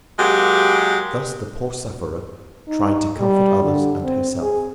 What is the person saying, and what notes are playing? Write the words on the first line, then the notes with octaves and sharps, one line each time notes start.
Thus the poor sufferer tried to comfort others and herself.
F#3 G#3 A#3 G4
D#4
G3
D3
C4
G#4